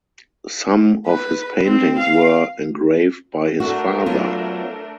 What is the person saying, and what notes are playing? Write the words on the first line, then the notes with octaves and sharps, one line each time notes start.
Some of his paintings were engraved by his father.
B4
C4
F5
A3 D4 F#4 A#4
F#3 B3 F4